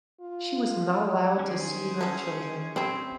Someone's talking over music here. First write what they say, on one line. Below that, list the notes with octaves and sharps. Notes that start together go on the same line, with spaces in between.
She was not allowed to see her children.
F4
D#3 C#4 G#4 C5
C#4 F#4 A4
G3 A3 C4 E4